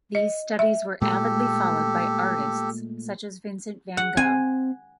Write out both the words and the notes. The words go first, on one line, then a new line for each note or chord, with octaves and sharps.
These studies were avidly followed by artists such as Vincent van Gogh.
D#5
E5
A#2 G#3 A3 G4 A4
F#5
C4 G#5